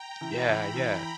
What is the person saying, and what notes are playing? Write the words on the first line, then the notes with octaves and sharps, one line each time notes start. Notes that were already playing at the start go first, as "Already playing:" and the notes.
Yeah, yeah.
Already playing: G5 A#5
E3 B5
E3
E3